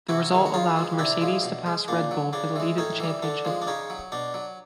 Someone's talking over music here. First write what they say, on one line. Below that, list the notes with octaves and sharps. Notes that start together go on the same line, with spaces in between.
The result allowed Mercedes to pass Red Bull for the lead of the Championship.
C3 E4 F#4
D#3 G#3
F#4
C#3 D#4 F4
F3 G#3
C3 D4 E4
F3 G#3
B2
G#3
A#2 D4
F#3
C#3 D4
E3 G#3
A2 C#4 D#4
E3 G3
D3 D4
F3 G#3
D4
C#3 C#4 D#4
F#3
B2 D4
F#3